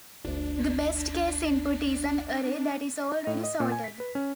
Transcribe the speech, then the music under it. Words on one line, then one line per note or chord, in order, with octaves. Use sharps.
The best case input is an array that is already sorted.
G1 D2 D4
A2
D#5
A#2
G#5
B6
B4
C#4